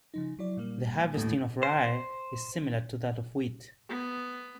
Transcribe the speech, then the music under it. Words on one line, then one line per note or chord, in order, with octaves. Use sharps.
The harvesting of rye is similar to that of wheat.
C#3 F3 D#4
F#3 E4 D5
A#2 G3 A#3
D#2 A2
C5
B3